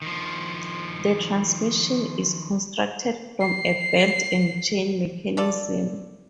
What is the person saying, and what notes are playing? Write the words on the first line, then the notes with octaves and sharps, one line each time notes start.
The transmission is constructed from a belt and chain mechanism.
D#3 F3
C7
F3 A4 D5